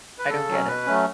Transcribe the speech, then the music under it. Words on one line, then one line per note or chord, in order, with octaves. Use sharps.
I don't get it.
B4
C#3 A4
F#3 C#4
B2 B4
F#3 A3 C#4